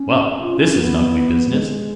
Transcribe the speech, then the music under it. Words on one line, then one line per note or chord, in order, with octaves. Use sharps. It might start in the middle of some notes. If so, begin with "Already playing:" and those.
'Well! this is an ugly business!
Already playing: C#4
F4
C#4
C#4
B3
G#3